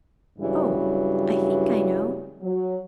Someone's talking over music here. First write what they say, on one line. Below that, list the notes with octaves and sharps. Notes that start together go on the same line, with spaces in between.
Oh, I think I know.
G2 C#3 E3 F#3 G3
F#3